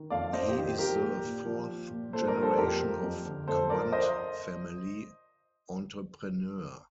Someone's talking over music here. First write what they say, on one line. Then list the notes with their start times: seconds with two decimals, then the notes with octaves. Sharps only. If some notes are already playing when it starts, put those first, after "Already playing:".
He is the fourth generation of Quandt family entrepreneurs.
Already playing: D#3
0.10 F2 D5 F5
0.33 F2 C5 D#5
0.48 G4
0.56 D#3
0.63 G4
0.78 F3 G4 A#4
1.01 A#2
1.24 A#2
1.45 F3
1.68 F3
1.90 A#2
2.13 A#2 A4 C5
2.27 A#4 D5
2.36 F3
2.42 A4 C5
2.58 F2 G4 A#4
2.80 F3
3.03 F2
3.26 D3
3.48 F2 A4 C5
3.70 F3 A#4 D5
3.92 C5 D#5